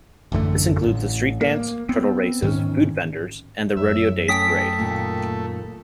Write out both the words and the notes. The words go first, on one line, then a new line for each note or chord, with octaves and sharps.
This includes the Street Dance, Turtle Races, food vendors, and the Rodeo Daze Parade.
A1 F#2 D3 A3
A1 A2
A#3
B3 C4
G#2 D#3 C4 C#4
F#2 E5
A3 C#4 G5 D#6 B6
D#2 A#2